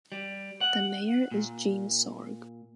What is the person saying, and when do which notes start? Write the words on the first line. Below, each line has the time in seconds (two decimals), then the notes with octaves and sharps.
The mayor is Jeanne Sorg.
0.12 G3
0.61 F#5
1.31 A#2